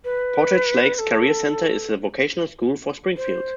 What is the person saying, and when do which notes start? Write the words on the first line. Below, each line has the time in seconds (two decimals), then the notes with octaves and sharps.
Portage Lakes Career Center is the vocational school for Springfield.
0.05 B4
0.94 B4
0.99 A4
3.17 C5